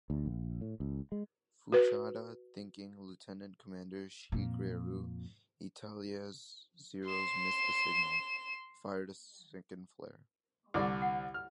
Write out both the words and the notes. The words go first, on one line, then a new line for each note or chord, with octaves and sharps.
Fuchida thinking Lieutenant Commander Shigeru Itaya's Zero's, missed the signal, fired a second flare.
D2
A#1
A2
C#2
G#3
F#4 B4
F2 A#2
C6 E7
C2 D3 E4 G4 D5
F#5
F6